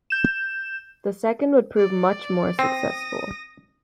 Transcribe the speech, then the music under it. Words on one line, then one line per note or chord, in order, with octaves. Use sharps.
The second would prove much more successful.
G6 E7
D5
C4 D#6 A#6